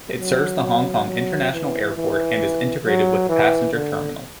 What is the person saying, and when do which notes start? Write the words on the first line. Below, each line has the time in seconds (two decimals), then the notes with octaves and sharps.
It serves the Hong Kong International Airport, and is integrated with the passenger terminal.
0.19 F#3
0.63 F#3
1.08 F#3
1.53 E3
1.96 E3
2.85 F#3
3.29 E3
3.73 D3